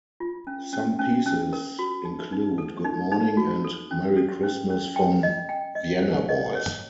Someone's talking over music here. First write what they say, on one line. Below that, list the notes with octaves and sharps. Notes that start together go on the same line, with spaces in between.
Some pieces include "Good Morning" and "Merry Christmas from Vienna Boys".
F4
C#4
C#4
C#4
C#4
A#4
F#4
D#4
D#4
A4
D#4
D#4
F#4
A4
C#4
A4
C#4
C#4
G5
D#5
G5
D#5
C5
D#5
C#5